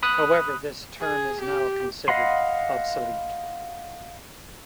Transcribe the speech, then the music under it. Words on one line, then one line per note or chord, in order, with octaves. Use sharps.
However this term is now considered obsolete.
B5 D#6 F#6
G#4
G4
D#5 F5 F#5 B5 C6